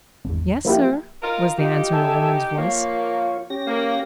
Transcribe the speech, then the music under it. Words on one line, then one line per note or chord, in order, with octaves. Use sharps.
"Yes, sir," was the answer, in a woman's voice.
G#1 E2
F3 A#3 E4 G4
D#4 F4 A#4
D#4 F4 G4
A4 E5 G#5
F3 A#3 F4 C#5
C#4 G4 A#6
A#3